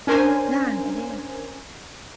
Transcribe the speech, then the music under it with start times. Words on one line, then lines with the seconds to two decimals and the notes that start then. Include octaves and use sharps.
Yeah, it is.
0.07 C#4 D4 A#4 C5 G#5